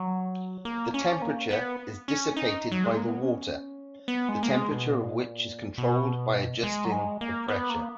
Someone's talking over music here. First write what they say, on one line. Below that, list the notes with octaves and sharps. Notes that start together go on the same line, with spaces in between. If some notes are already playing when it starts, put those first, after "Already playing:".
The temperature is dissipated by the water, the temperature of which is controlled by adjusting the pressure.
Already playing: F#3
A#3
C#4
A#3
B3
C#4
D#4
F#3
G#3
A#3
B3
C#4
B3
G#3
A#3
G#3
B2
A#2
B2
G#3
F#3
G#3
A#3
B3
A#3